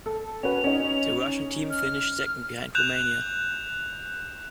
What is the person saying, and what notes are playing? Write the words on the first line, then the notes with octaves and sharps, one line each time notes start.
The Russian team finished second behind Romania.
A4
C#4 F#4 B4 F7
C#4 D#4
F6
F#6 G6 E7 F7